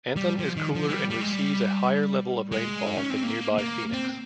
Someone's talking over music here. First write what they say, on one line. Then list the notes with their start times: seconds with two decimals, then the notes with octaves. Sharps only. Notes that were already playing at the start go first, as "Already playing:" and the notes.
Anthem is cooler and receives a higher level of rainfall than nearby Phoenix.
0.16 G3
0.39 F3
0.57 D#3
0.75 F3
0.89 G#3
0.92 G3
1.10 G3
1.21 G#3
1.32 G3
2.52 G#3
2.86 D#4
2.98 C#4
3.10 C4
3.23 A#3
3.58 A#3
3.93 C4